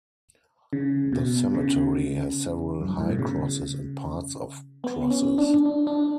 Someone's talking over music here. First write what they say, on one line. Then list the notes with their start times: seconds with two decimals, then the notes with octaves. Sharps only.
The cemetery has several high crosses and parts of crosses.
0.73 C#3
1.13 B2
1.55 C#3
2.81 F#2
2.91 G2
3.00 A2
3.10 B2
3.19 C#3
4.84 B3
5.11 C#4
5.38 D4
5.66 D4
5.87 D4